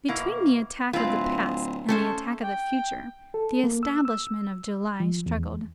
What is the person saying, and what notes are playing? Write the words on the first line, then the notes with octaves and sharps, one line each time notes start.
Between the attack of the past and the attack of the future, the establishment of July struggled.
B2 A#3 E4
D1 C4 E4 F4 B4
A3 C#4 A4 C5
G5
A4
A#3
E6
E6
F3
E2